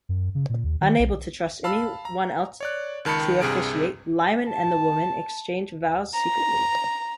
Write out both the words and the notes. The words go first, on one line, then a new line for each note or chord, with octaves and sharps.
Unable to trust anyone else to officiate, Lyman and the woman exchanged vows secretly.
F#2
C#3
A#2
D#2
D#3
B1
F5 A5 B5 E6
A#5
C#5 D5 F#6
C#2 D#3 A5 B5 C#7
C2 G2 C3 G#4 F6 D7
A5
A#5